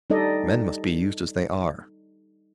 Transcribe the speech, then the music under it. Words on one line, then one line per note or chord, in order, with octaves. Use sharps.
Men must be used as they are.
G3 D#4 A4 D5 D#5